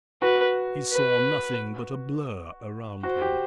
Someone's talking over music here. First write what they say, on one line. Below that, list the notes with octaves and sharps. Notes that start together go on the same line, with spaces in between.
He saw nothing but a blur around him.
F#4 B4
B4
F#4 C5
G4